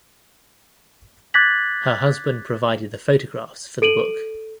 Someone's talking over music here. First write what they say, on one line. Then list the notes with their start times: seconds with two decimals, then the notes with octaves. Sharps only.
Her husband provided the photographs for the book.
1.34 D6 F#6 G#6 A6 B6 F#7
3.82 A4 D7 D#7 F#7